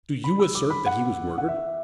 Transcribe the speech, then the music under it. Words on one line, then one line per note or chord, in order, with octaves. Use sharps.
"Do you assert that he was murdered?"
B5
E6
D6
B5
F#5
F#5
E5